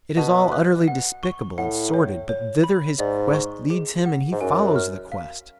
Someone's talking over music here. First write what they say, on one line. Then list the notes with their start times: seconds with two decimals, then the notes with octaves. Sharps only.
It is all utterly despicable and sordid, but thither his quest leads him and he follows the quest.
0.17 B2 A5
0.52 F#6
0.88 F#5
1.23 C#6
1.58 A2 F#5
1.94 C#5
2.29 C#5
2.64 B5
2.99 G#2 D5
3.34 C#6
3.70 G#4
4.06 F#5
4.32 G#2
4.41 F#2 G#5
4.76 F6
5.12 F5